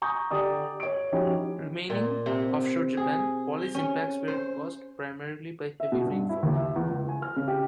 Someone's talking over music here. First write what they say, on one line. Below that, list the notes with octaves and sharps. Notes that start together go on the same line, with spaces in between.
Remaining offshore Japan, Polly's impacts were caused primarily by heavy rainfall.
G#5 A#5 C#6 D#6 G6
D3 G4 D5 G#5 A#5 D#6
C#5 D7
F3 C#4 D#4 E4 F#4 G4
A#2
C3
G#4
C#4
C5
E5
B2
G2
E4
D#2
E5
E2
C#2
G#5
F6
C#3
G4